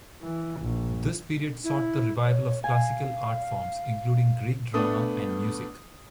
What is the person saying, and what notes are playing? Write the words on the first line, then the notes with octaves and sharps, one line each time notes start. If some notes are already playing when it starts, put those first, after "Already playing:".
This period sought the revival of classical art forms, including Greek drama and music.
E3
A#1
E4
C#5
F5 G#5
A3 B3 D4 D#6